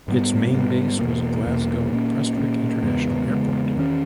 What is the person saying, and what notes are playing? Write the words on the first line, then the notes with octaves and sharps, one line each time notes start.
Its main base was Glasgow Prestwick International Airport.
G#2 G3 B3
G#2 G3 B3
E2 B2 A#3
E2 B2 A#3
A#2 A#3 C#4
A#2 A#3 C#4
E2 C#3 G#3 B3
E2 C#3 G#3 B3
E2 D#3 A#3 C#4